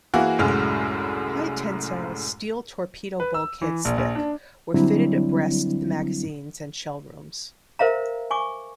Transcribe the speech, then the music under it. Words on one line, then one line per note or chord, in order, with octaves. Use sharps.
High-tensile steel torpedo bulkheads thick were fitted abreast the magazines and shell rooms.
E3 A#3 F#4 G#4
C2 F#2 A2 G#3 F#4 F6
B4
E6
E3
A#1
A#1
D4
D3 F#3 G3 C4 D4 E4
A#4 C5 E5 F5 A#5
G#5 C#6 D6